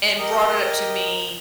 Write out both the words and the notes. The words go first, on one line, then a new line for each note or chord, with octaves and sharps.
and brought it up to me
G4 A#4 D#5